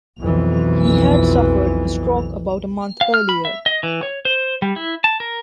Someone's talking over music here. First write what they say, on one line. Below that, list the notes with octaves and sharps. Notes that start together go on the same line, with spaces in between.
He had suffered a stroke about a month earlier.
B1 F2 E3
F5
F6
B5
E5
D#5
E3
C#5
C5
G3
E4
A5
A#4